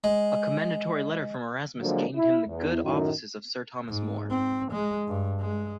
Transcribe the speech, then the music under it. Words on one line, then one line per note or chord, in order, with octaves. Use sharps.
A commendatory letter from Erasmus gained him the good offices of Sir Thomas More.
G#3
D3 F3 F#3 G#3 A#3 D4
E4
E2
F#2 A2 D#3
G#2
C4
G#3
G2
G#3